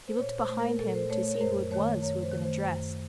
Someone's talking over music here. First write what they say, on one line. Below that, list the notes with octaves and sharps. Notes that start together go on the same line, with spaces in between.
He looked behind him to see who it was who had been addressed.
C5
A#2 C#5
C5
A3
A#4
A#2 A4
C5
A3 C#5
C#5
A#4
F#2 C5
D#3 A3 C#5
F#2 C#5
C5
D#3 A3
C5
F#2 C5